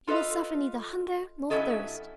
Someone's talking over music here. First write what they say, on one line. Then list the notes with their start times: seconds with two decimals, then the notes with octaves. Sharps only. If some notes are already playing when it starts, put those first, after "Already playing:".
You will suffer neither hunger nor thirst!
0.07 F4 A4 B4 D#5 F5
1.50 G2 C#4 E4 F#4 A4 D#5